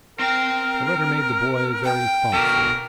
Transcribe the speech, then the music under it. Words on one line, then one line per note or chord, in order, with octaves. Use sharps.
The letter made the boy very thoughtful.
C4 A#4 G5
G5
B2 D3 A#4